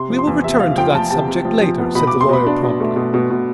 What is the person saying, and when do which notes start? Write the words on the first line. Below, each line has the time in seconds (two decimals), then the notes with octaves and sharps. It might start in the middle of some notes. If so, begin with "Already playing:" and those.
"We will return to that subject later," said the lawyer promptly.
Already playing: C3 C6
0.10 F3
0.19 C6
0.27 E2
0.44 C3 E5
0.60 F3 F5
0.78 F3 G5
0.94 F3 A5
1.10 C3 A5
1.27 C3
1.45 F3
1.61 F3
1.78 B3
1.95 B2 B5
2.07 B2 D6
2.21 C6
2.29 B2 B5
2.46 D4
2.63 B2
2.80 A3
2.96 B2
3.14 B2
3.30 B2